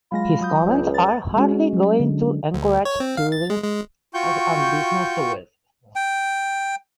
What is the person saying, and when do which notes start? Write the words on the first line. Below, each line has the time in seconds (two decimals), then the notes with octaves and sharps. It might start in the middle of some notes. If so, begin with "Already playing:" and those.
His comments are hardly going to encourage tourism and business to Wales.
0.12 F#3 G#3 F4 B5 A#6
0.41 F#3 D#6 G6
0.66 C#2
0.94 A6
1.36 G#3 C#4 F#4
1.73 F#3
2.00 D3
2.54 D2
2.85 C#5
3.00 C4
3.17 F5
3.32 A6
3.50 G#3
3.63 G#3
4.14 F4 F#4 G5 C#6 G6
5.96 G5